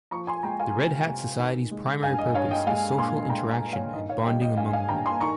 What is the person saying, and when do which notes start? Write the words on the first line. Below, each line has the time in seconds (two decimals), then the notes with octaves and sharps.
The Red Hat Society's primary purpose is social interaction and bonding among women.
0.11 F3 A#5 C#6
0.27 G#5 C6
0.43 G#3 G5 A#5
0.60 F5 G#5
0.76 C3
1.07 C3
1.39 D#3
1.71 G#3
2.02 G2 F5 G#5
2.19 D#5
2.34 G2 C#5 F5
2.51 D#5 G5
2.67 G#3 F5 G#5
2.98 A#2 G#5 C6
3.30 G#3 G5 A#5
3.51 F5 G#5
3.61 A#2
3.73 C#5 F5
3.94 D#3 D#5
4.09 C#5 F5
4.25 G3 D#5 G5
4.41 D#5 G5
4.57 G2 F5 G#5
4.73 F5 G#5
4.89 G2 G5 A#5
5.06 G#5 C6
5.20 D#3 A#5 C#6